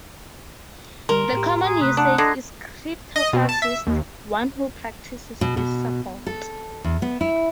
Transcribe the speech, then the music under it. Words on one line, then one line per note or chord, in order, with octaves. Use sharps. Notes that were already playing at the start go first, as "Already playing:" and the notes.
The common usage is "crypto-fascist", one who practices this support.
D3 G3 A#4 A#5 C6
A2 G4
G#4
C3 A3 B4 D#6
D4 F#5 A5
D3 D#5 F#6 G#6 C7
D#5
B2
A5
E5
D#2
B2
B2
A4
E2
B3
E4